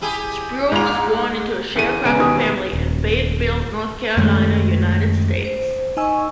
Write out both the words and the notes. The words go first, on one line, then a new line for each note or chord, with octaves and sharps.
Spruill was born into a sharecropping family in Fayetteville, North Carolina, United States.
E4 G4 G#4
G#2 A#3 F7
E2 D#7
E1 C#3 B3 G#5 D7
E1 B2 D#3 G4 G#5 D#6
D#1
F#2 D#3 G#3 A3
C5
D#4 D#5 G#5 C#6 E6